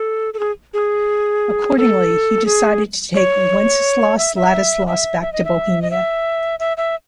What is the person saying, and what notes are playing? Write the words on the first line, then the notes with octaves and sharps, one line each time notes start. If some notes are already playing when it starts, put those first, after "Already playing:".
Accordingly, he decided to take Wenceslaus-Ladislaus back to Bohemia.
Already playing: A4
A4
G#4
G#4
A4
G#4
C#5
E5
E5
E5
E5
D#5
E5
D#5
E5
E5
E5